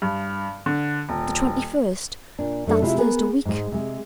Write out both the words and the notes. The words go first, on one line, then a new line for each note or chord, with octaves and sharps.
'The twenty-first--that's Thursday week.
G2
D3
D#1
A#2 D4
F#2 A3 D4 A4
C3 G#3 E4 F4
B3 G#4 A#4
G#2 G#3
C3 G#3